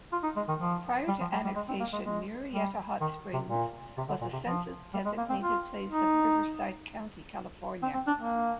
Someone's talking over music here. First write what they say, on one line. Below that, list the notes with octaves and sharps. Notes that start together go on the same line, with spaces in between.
Prior to annexation, Murrieta Hot Springs was a Census-designated place of Riverside County, California.
F4
D#4
G#3
D#3
F3
G3
F3
G3
G3
G#3
C4
A#3
G#3
G#3
G3
D#3
C3
A#2
C3
D3
A#2
C3
F3
G3
G#3
A#3
C4
F4
D#4
C4
C4
D4
A#3